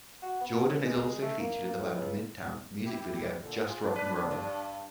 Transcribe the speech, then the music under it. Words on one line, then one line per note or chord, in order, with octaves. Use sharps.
Jordan is also featured in the band Midtown's music video "Just Rock and Roll".
F#4
B3
C#2
G#3
A3
A#3
A#3
A2
C#2
E4 G4
A#2 D3
F4 G#4
D4
B4
G2